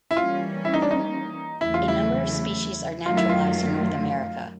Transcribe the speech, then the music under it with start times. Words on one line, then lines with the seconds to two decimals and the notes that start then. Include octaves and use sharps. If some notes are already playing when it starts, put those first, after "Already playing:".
A number of species are naturalized in North America.
0.11 E4
0.17 E3 G3 A#3 C#4 F4
0.65 E4
0.74 D#4
0.82 D4
0.91 D#4
1.61 E2 C#3 F#3 A3 E4
1.74 F4
1.88 E4
3.05 F#2 D#3 F#3 A3 F4
3.17 E4
3.29 F4